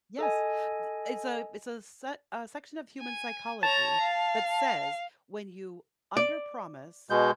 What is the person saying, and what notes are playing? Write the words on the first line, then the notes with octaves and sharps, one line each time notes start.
Yes. Th It's a it's a set a section of human psychology that says, when you underpromise
A4 D#5 G#5
G#5
C#5 A5 A#5
F5
D5
B2 G#3 G6